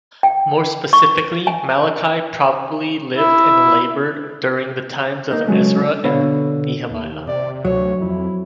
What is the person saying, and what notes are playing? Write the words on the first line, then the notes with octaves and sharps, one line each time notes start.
More specifically, Malachi probably lived and labored during the times of Ezra and Nehemiah.
G5
C#6
G#5
E4
A#3 D#4
C#3 F#3 G#3 A3
B2 D3 B4 C#5 F5
D#2
C3 D5
D2 F#3 C#5
F2 E4